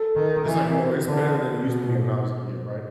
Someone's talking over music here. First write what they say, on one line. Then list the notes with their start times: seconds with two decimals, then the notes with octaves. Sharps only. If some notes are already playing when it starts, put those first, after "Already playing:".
it's, like, more it's better than it used to be when I was a kid, right,
Already playing: A4
0.16 D#3
0.46 E3 A#4
0.99 A#4
1.06 D3 B4
1.65 B2
1.95 C5